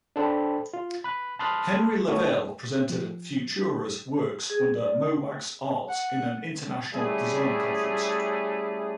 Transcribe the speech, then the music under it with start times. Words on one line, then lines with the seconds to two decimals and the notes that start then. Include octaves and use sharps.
Henry Lavelle presented Futura's works under Mo' Wax Arts in an international design conference.
0.16 D4 A4 C5 G5 B5
0.74 F4
1.04 B5 F#6
1.39 A5 B5 C6 D#6 F6 F#6
2.08 A3 B3 F#4 C#5
2.90 F3
4.50 G#4
4.75 D5
5.89 F#5
6.93 G3 A3 C#4 E4 G#4